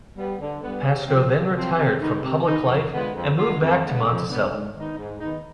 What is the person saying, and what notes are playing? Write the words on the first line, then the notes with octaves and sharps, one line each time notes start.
Pasco then retired from public life and moved back to Monticello.
G3 B3
D3
G3 B3
C3
F3 C4
C3
F3 C4
C3
D#3 B3 D#4
C3
D#3 B3 D#4
F2
D3 G#3 B3 F4
F2
D3 G#3 B3 F4
F2
D3 G#3 B3
F2
D3 G#3 B3
G#2
D#3 B3 D#4
G#2
D#3 B3 D#4